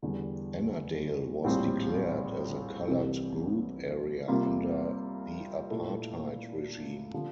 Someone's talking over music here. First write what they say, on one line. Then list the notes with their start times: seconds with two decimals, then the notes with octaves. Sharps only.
Ennerdale was declared as a coloured group area under the Apartheid regime.
0.02 E2 D3 G3
1.44 A#1 A2 G3 C4
2.87 C2 C3 E3
4.28 C3 G3 A#3 F4
5.70 A#2 A3 E4 A4
7.14 D3 F3